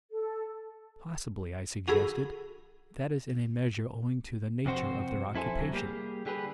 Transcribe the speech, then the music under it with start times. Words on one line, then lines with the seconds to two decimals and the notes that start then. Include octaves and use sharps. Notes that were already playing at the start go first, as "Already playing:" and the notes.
"Possibly," I suggested, "that is in a measure owing to the nature of their occupation."
0.11 A4
1.88 F#4 G#4 A4 B5
4.66 F2 C3 C4 F#4 C5
5.35 F2 E4 A4 C5 G#5
5.60 C3 F#3
5.73 G3 A#3 G4 G#4
6.26 D3 G4 G#4 B4